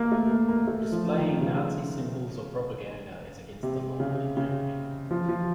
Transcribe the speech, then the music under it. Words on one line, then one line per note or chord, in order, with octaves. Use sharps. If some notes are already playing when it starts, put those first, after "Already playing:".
Displaying Nazi symbols or propaganda is against the law in Germany.
Already playing: A#3
A3
A#3
A#3
A3
F3
D#3
C#3
C3
C#3
C#3
F3
F3